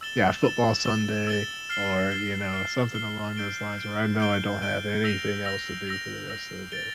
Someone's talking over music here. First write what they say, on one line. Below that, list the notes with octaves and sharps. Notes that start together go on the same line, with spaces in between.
Yeah, a football Sunday or, you know, something along those lines where I know I don't have anything else to do for the rest of the day.
E6 A6 E7 G7
E6 A6 E7 G7
E6 A6 E7 G7
E6 A6 E7 G7
F6 C7 G7
F6 C7 G7
F6 C7 G7
F6 C7 G7
G6 D7 G7
G6 D7 G7
G6 D7 G7
G6 D7 G7
E6 A#6 F7
E6 A#6 F7
E6 A#6 F7
E6 A#6 F7
A6 D7 G7